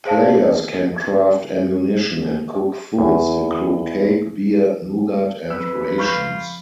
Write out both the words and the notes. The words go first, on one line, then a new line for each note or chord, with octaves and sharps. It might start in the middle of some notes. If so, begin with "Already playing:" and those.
Players can craft ammunition and cook foods include cake, beer, nougat and rations.
G#4 C5 F5 A5
E2
F2 F3 B4 E6
F4 B5 C#6 G6